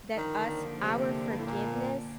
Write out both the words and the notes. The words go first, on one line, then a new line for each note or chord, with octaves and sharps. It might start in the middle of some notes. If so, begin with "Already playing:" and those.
that us our forgiveness
D3 D#3 F3 A#3 D4
C3
G2
A2
A#2